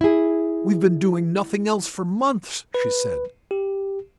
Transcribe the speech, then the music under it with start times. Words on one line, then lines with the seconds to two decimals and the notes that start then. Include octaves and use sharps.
We've been doing nothing else for months,' she said.
0.01 E4 G#4
2.74 B4
3.51 G4